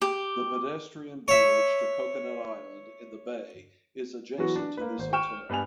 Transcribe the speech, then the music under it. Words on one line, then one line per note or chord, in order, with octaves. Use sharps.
The pedestrian bridge to Coconut Island in the bay is adjacent to this hotel.
G4
C#5 E5
E3 F#3 B3 F#4
D4
A#3 B4
G#1 C5
G5 C#6 F6 E7
G2 B3 B4 G#5 F7